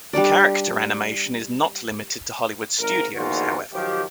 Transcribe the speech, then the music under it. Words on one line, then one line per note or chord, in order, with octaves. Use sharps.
Character animation is not limited to Hollywood studios, however.
G3 D4 A4 D5
G#1 A#4
A#1 E2 D#3 A#3 F4 F#4
D#3 F3 F#3 G4